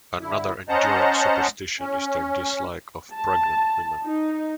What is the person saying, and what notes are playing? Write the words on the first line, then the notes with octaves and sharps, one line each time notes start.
Another enduring superstition is their dislike of pregnant women.
D3 E4
C#4 C5 D#5 F#5 A5 A#5
C#4
A5
D#4